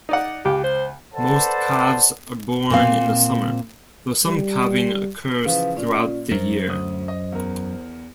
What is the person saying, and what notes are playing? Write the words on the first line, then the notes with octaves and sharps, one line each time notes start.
Most calves are born in the summer, though some calving occurs throughout the year.
D#4 D5 F#5
C#2 G4
C5
A4 B4 C5 D5 F#5 A5
A#2 C4 F5
G3
C#3 E3 F3 B4 F5
A#2 C#4 F4 D5
F#2 A#4 C5
D2 D#6
D#5
E2 A#4